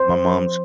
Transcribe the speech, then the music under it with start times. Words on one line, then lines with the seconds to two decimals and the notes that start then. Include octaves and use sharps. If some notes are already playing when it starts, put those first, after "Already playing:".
my mom's
Already playing: C5
0.09 F3